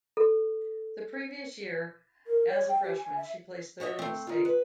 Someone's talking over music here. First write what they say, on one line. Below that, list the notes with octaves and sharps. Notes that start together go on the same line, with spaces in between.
The previous year as a freshman she placed third in the state.
A4
A#4
C#5
G5
G4
G#5
E5
F#4 C#5 D#5 E5
A3 C4
D#3 F4
B4